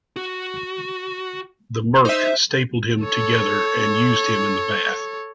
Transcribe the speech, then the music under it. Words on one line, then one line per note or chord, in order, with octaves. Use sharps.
The merc stapled him together and used him in the bath.
F#4
D#4 C5 D#5 E5
A4 C#5